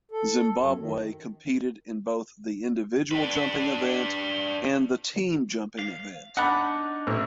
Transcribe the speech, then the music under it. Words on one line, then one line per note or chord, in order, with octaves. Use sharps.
Zimbabwe competed in both the individual jumping event and the team jumping event.
A4
F#2
D#3
D4 B4
F5
D4 D#4 F#5 B5
A1